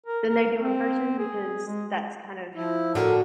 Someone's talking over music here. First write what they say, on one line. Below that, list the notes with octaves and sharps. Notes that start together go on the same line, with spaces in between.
than they do in person, because that's kind of
A#4
A#4
C4
G#4
G#3
F3 E4
A2 D3 D4 F#4 A4 A#4